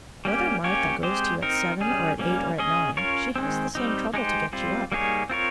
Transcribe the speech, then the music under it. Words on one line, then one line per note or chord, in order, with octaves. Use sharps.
"Whether Martha goes to you at seven, or at eight, or at nine, she has the same trouble to get you up."
G3 A#3 C#4 G4
A#3 C#4 G4 C#5
G#3 C4 G4 C5
C4 D#4 A#4
G3 C#4 G#4
G3 A#3 C#4
C#4 G#4 D#5
C#4 F4 A#4 C#5
D#3 G#3 C4
G3 C4 D#4
G#3 D#4 G4 C5
G3 C4 F4
G3 A#3 D#4 G#4 C#5
C4 F4 A#4 C#5